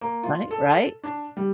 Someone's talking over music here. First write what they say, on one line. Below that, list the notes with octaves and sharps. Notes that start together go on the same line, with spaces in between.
Right, right.
A#3
F4
A4
D4
G3